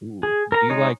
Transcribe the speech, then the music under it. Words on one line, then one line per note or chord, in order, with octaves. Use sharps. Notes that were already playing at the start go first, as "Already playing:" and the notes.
Ooh, do you like
G#4
A#4 A#5
G#3 D#4 C#5